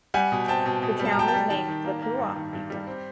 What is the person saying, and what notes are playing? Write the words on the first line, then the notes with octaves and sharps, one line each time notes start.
The town was named for the Kiowa people.
G3 F#5 G#5
B2
C4 G5 A5
B2
B2
G3
A5
A#5
B2 G5 A5
G5 A5
G3
D#3 G5 A5
D#3
A#3
A#3
G2
D#3
G2
G3
C4